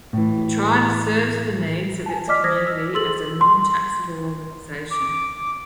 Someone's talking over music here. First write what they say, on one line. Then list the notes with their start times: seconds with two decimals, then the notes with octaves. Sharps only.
The tribe serves the needs of its community as a nontaxable organization.
0.13 A2 E3
2.06 G#5 A5
2.28 D5 D#5 D6 F6 B6
2.44 C5 D#6 G#6 A#6 B6
2.67 E6
2.94 G#4 A4 C6 E6 A6 F#7
3.41 C6
4.92 D6